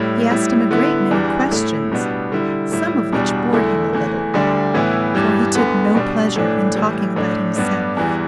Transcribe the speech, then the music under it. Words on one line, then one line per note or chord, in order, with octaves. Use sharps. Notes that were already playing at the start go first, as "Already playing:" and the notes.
She asked him a great many questions, some of which bored him a little; for he took no pleasure in talking about himself.
Already playing: A2 G3 E4
A2 G3 E4
D3 B3 E4
E2 E3 G3 D4
A2 A3 E4
B2 G3 B3 D4
D3 G3 E4
A2 G3 E4
E2 B2 G3 D4
E2 D3 A3 E4
E2 E3 A3
D2 D3 G3 D4
A2 E3 B3 E4
G2 E3 G3
D2 D3 B3
B2 G3 D4
A2 E3 A3 D4
A2 E3 G3
A2 A3 D4
G2 G3 B3 D4
E2 E3 G3